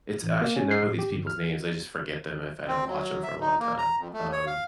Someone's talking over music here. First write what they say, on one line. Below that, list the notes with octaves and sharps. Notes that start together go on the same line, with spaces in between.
It's I should know these people's names, I just forget them if I don't watch 'em for a long time, um
A1
A#3
C#4
C7
A2
G4
G1
F6
C4
F#3
E5
D#4
A#3
A#5
F2
A3
C#5
F5